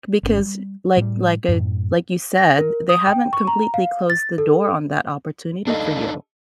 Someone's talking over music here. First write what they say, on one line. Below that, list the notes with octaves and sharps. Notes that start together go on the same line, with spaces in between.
because like like a like you said, they haven't completely closed the door on that opportunity for you.
G1 C#4
G3
A2 G3
F#2 A2
A#6
A#4
D#6
G5
C#6
A#5
F5
A6
A4
D4 D#4 A4 D#5 F5